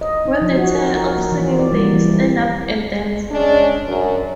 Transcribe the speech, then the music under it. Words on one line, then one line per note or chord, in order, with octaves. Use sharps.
When they tire of singing they stand up and dance.
D#5
D#4
F3
F#4
A#4
A#4
A#3
E3
D5
G3
E3
G#3 C#4 D4
F#2